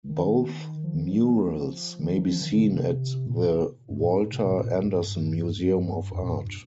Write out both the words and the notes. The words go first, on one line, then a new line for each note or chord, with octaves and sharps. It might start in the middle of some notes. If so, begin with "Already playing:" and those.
Both murals may be seen at the 'Walter Anderson Museum of Art.
D#3
F3
D#3
F3
D#3
F3
F3
D#3
D3
C3
A#2
G2
A#2
A2
C3
A#2
A2
A#2
A2
G2
G2
F2
A#2
G2